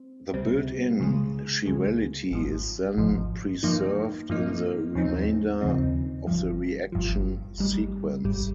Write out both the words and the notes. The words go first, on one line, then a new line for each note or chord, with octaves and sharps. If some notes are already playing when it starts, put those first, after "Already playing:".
The built-in chirality is then preserved in the remainder of the reaction sequence.
Already playing: C4
C#2 C3 G3 C4
C#2 C#3 G#3
C#2 C#3 G#3
G#1 G#2 F3
G#1 G#2 F3
G2 F3 A#3 D#4
G2 F3 A#3 D#4
D#2 C#3 F3 C4 D#4
D#2 C#3 F3 C4 D#4
G1 G2 F3
G1 G2 F3
G#1 G#2 G3
G#1 G#2 G3